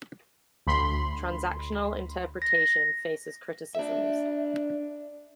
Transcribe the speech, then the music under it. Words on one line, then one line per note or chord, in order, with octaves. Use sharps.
Transactional Interpretation faces criticisms.
D2 B5 C6
A#6
D4 E5